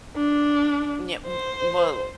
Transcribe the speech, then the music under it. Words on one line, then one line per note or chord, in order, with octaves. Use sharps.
Yeah we well,
D4
C5